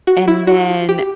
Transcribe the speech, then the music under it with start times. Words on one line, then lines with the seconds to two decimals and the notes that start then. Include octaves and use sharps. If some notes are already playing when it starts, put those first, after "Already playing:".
And then,
0.07 F#4
0.28 E4
0.47 F#4
0.89 G4